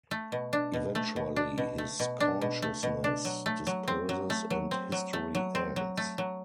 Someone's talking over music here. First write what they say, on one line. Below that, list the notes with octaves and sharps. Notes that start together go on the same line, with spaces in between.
Eventually, his consciousness disperses, and history ends.
A3
B2
D4
B2
A3
B2
D4
B2
A3
B2
D4
B2
A3
B2
D4
F#3
A3
F#3
C4
F#3
A3
F#3
C4
F#3
A3
F#3
C4
F#3
A3
F#3